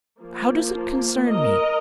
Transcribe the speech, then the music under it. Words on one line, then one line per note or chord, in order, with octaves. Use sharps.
How does it concern me?
F3 A#3
A#4 D#5